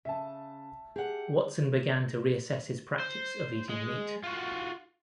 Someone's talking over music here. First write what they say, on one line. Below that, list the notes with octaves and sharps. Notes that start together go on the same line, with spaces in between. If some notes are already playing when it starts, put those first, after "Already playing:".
Watson began to reassess his practice of eating meat.
C#3 E5 A5
G4 G#4 F#5
C5
G#3
F4 F#4